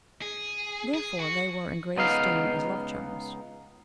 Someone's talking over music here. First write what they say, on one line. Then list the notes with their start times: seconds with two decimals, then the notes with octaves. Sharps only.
Therefore they were in great esteem as love charms.
0.22 G#4
0.94 G#4
1.19 F#4
1.96 C#2 B3 D#4 F5